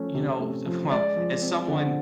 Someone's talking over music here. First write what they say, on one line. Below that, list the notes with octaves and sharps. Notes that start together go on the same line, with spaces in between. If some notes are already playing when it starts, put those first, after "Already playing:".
you know, who's well, as someone
Already playing: F3 A3 C#4
C3
A3
F3
G#3 D5
F3
C4
D3